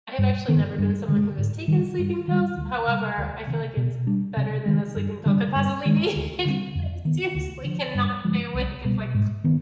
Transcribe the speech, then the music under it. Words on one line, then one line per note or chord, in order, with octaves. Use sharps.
I’ve actually never been someone who has taken sleeping pills. However, I feel like it's better than a sleeping pill could possibly be, ‘cause I seriously cannot stay awake. It's like,
G2
D#3 B3
G2
D3 G#3
G#2
D#3 G3
G2
D#3 G3
D2
C3 G3
D2
C3 D#3
B2
G3 D4
C3
D#3 G#3
G2
D3 G3
G2
D#3 G#3 D4
D2
D3 G3 C4
F2
D#3 B3
D2
D3 F3
G2
D3 F3 G#3
C2
B2 G3 B3
G#2
D#3 B3